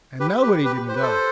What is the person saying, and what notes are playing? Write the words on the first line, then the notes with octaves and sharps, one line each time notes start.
And nobody didn't go.
G4 B4
G4 B4
G4 B4
C5
B4
A4 C5